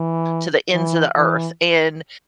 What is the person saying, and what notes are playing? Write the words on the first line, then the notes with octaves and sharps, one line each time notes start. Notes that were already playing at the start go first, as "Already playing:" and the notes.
to the ends of the earth, and,
Already playing: E3
E3
E3